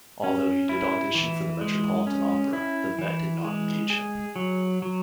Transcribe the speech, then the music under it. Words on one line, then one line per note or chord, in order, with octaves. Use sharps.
Although he did audition for the Metropolitan Opera, the Met did not engage him.
C#4
E4
E3
G#3
C#4
E4
E3
G#3
G#4
F#3
F#3